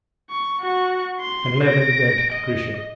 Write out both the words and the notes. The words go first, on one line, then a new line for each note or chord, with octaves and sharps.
And Levin went to Grisha.
C#6
F#4 C#6
C6
A#6 D7
D#5